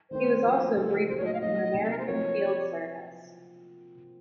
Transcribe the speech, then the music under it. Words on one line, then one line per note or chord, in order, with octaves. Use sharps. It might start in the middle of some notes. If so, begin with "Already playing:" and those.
He was also briefly in the American Field Service.
D#3 A3 C4 C5
F3 C4 F#4 A#4
C#3 F3 A3 D#4 F#4 A4
A#2 F#3 A3 D#4 A4 C5
C#5
D#5
F5
F3 A3 D#4 F#4 D#5
C3 F#3 A#3 D#4
A4
A#4
C5
F3 C4 F#4 A#4 C#5